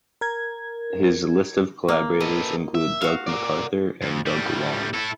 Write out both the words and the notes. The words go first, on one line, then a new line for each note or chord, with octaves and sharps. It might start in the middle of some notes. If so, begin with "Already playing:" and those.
His list of collaborators include Doug McArthur and Doug Long.
A#4 G#6
A#3
A4 B4 D#5
E5
F#4 F5
A#4 D5
F2
A2 G3
E4 A4